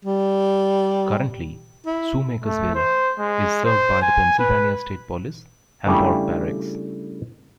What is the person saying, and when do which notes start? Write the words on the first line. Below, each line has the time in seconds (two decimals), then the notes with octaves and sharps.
Currently, Shoemakersville is served by the Pennsylvania State Police - Hamburg Barracks.
0.05 G3
1.87 E4
2.44 A3
2.75 C5
3.19 G#3
3.65 C5
4.02 G#5
4.39 B4
5.87 C#3 G3 A3 D4 E4 G4